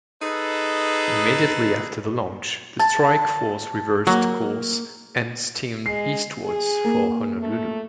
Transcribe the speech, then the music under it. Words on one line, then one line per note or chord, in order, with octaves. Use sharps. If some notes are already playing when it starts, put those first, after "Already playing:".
Immediately after the launch, the strike force reversed course and steamed eastwards for Honolulu.
D#4 G#4 A4 B4
A5
F#3 A#3
G#3 C7
G#4
A#3
A3